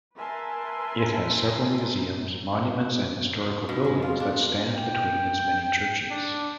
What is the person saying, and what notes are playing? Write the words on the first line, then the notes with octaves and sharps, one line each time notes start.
It has several museums, monuments and historical buildings that stand between its many churches.
A#4 B4 E5 G#5 A5 C6
B2
G#3
F4
D4
G5
D4